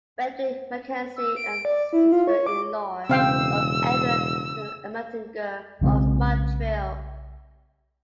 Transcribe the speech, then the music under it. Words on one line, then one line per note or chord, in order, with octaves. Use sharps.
Frederick Mackenzie and sister-in-law of Edward Ermatinger, of Montreal.
E6
D7
D5
E4
F4
C#5
D6
E1 C#3 C4 F5 G5 E6
B1 C#3 G#3 C4